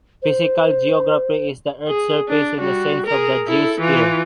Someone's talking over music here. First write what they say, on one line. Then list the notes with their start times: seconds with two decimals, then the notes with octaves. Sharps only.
Physical geography is the earth's surface in the sense of the geosphere.
0.22 C5
1.87 G#4
2.28 D4
2.59 G3 F#4
3.06 G#4 A#4
3.47 E4 A4
3.80 E3 F4